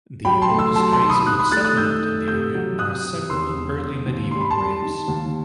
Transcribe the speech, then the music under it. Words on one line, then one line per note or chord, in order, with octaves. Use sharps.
The oldest trace of a settlement in the area are several early medieval graves.
F#3 G5 B5
A5 C6
A3
C6 E6
F#3 A5 C6
A5 C6
D#3
B5 D#6
D#3 D#6 F#6
B5 D#6
A3 F#6 A6
D#6 F#6
D#3 E6 G6
A3
C3 E6 G6
F#3
C3 D#6 F#6
C3
E1 C6 E6
E1
E1
D#2
G3 C6
B5
A5 C6
G3
D#3
D#2